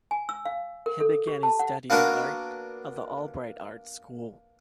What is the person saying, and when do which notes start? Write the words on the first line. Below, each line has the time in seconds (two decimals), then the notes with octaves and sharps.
He began his studies in art at the Albright Art School.
0.11 G#5
0.29 E6
0.45 F5
0.86 A#4
1.00 A4
1.27 G4
1.43 A5
1.59 F#5
1.90 A#3 B3 D4 F#4 A#4